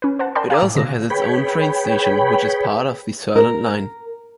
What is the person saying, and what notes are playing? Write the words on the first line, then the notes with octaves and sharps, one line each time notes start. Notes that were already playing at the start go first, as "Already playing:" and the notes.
It also has its own train station, which is part of the Sørland line.
C#4 B4
C5 F#5 A5
A#4 D5 G5 A5 B5 C6
F5 G5 G#5 A#5 D6
A2
B2 D3 A#6
G#4 B4 C#5 G5 B5
A#4